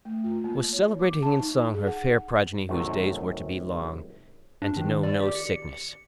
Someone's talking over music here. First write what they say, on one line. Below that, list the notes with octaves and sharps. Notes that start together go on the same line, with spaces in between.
'Was celebrating in song her fair progeny whose days were to be long, and to know no sickness.
A3
F4
A#3
C#5
D6
A5
D#4
G#4
F#5
G#1 F#2 C3 A3 D#5
D4
D#3
D5
G4
C#7